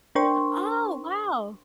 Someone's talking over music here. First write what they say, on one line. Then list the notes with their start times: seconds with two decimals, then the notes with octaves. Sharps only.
Oh, wow.
0.15 D4 A#4 C5 G5 C6 C#6